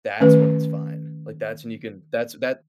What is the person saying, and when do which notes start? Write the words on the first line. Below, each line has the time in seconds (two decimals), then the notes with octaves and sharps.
That's when it's fine, like that's when you can that's that
0.21 D#3 A3 C#4 B4